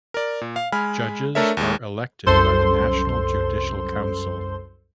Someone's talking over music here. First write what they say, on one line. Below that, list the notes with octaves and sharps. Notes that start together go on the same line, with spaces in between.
Judges are elected by the National Judicial Council.
A#4 D5
A#2
F5
G#3 G#5 B5 F6
A3 D4 A4 A#4 C#5 E5
D#2 G#3
C2 F#2 A4 C5 C6